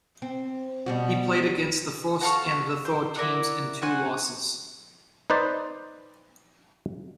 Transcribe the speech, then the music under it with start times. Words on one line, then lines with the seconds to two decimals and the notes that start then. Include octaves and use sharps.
He played against the first and the third teams in two losses.
0.22 C4
0.86 B2 G3 F#4
2.21 F#4 A4 F5 C#6
2.85 C5
3.16 E4 A#4 D5 F#5
3.82 F#4 C5 F#5 G#5
5.30 D#4 B4 C5 D5